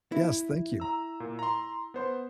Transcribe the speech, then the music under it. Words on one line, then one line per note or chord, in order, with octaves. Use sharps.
Yes, thank you.
E4
A#5 E6
A#2
A#5 C6
B3 C5 C6